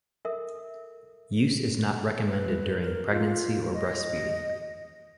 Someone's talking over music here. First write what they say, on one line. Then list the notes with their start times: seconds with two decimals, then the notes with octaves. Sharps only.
Use is not recommended during pregnancy or breastfeeding.
0.25 A4 A#4 E5
2.26 B4
2.81 A#4
3.10 F4
3.74 D#5